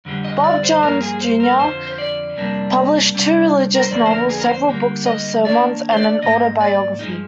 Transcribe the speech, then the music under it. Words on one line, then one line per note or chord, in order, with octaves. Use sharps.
Bob Jones Junior published two religious novels, several books of sermons, and an autobiography.
F2 D3 G3 D4
D#5
D5
C5
G2 F3 A#3 A#4
G#4
C5
A#4
F2 D3 F3 C5
C5
D5
F2 C3 G3 A#3 D4
C3 G3 D4
A#4
C5
F2 D3 F3 A#3 D4 D5
C5
A#4
G#4
A#4
C5
D3 G3 A#3
D#5
D#3 A#3 D4 D5
C5
D5
G#2 D#3 A#3 D#5
D5
G2 F3 G#3 D#4